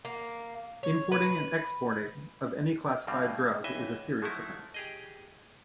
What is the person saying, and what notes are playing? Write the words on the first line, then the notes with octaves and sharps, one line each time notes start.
Importing and exporting of any classified drug is a serious offence.
A#3
C#5
B4
G2 B2 E3 G3 C4
C#2 E3 D#5 E5
F3 F#3 A3 D#4 E4
G4 G#4 D#5